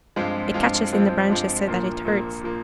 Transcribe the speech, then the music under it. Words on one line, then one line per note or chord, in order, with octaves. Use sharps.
"It catches in the branches so that it hurts."
G2 F3 G#3 C4 F4
G2 F3 G#3 C4 F4
G2 F3 G#3 C4 F4
G2 F3 G#3 C4 F4
A#1 A#2 F3 A#3
A#1 A#2 F3 A#3
A#2 F3 A#3